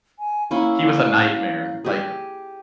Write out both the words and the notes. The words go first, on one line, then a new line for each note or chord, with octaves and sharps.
he was a nightmare, like,
G#5
A#3 C#4 E4 F5
G4 G#4